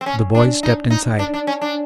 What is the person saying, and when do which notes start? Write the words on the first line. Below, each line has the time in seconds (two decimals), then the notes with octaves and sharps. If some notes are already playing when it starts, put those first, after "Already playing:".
The boys stepped inside.
0.01 C4
0.06 C#4
0.35 D4
0.63 D#4
0.90 D#4
1.19 D4
1.34 D4
1.47 C#4
1.61 D4